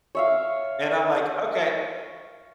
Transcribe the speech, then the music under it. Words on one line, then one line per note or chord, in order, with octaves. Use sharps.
and I'm like, "Okay,
C#5 E5 F5